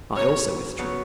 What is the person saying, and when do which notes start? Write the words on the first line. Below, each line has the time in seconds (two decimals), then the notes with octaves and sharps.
I also withdrew.
0.16 C#3 F#3 B3 C#5
0.79 C#3 F#3 B3